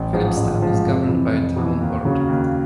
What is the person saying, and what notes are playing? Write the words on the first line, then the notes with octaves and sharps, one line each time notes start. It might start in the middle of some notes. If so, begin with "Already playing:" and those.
Philipstown is governed by a town board.
Already playing: A1
G#2 F3 G#3
A1
G#2 F3 G#3
F2
C3 E3
F2
C3 E3
D#2
C#3 F#3
D#2